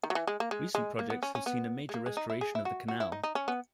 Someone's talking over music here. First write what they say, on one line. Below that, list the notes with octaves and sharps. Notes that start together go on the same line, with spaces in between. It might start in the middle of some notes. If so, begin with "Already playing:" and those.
Recent projects have seen a major restoration of the canal.
D#3
F#3
E3
G#3
A#3
G#3
G#3
A#3
B3
C#4
C#4
B3
G#3
A#3
G#3
D#4
E4
G#4
E4
F#4
F#4
E4
D#4
D#4
C#4
B3